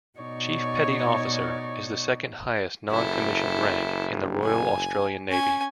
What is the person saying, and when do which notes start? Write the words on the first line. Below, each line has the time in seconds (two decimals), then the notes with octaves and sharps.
"Chief Petty Officer" is the second highest non-commissioned rank in the Royal Australian Navy.
0.19 B2 D#4 C#5 D5 C#6
2.90 F#1 E4 A4
4.44 G#5
5.30 C#4 G#5